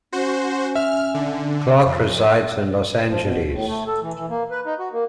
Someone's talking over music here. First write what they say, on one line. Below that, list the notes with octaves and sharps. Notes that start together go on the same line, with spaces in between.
Clark resides in Los Angeles.
C#4 F#4 C5
E5 F6
D3
F2
F3
B2
A2
A3
A4
E3
E3
A#3
B4
D#4
F#4
A#3